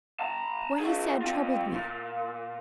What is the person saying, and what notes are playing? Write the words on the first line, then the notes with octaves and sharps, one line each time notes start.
What he said troubled me.
A5 A#5
F4 G#4
C4 F4
A#2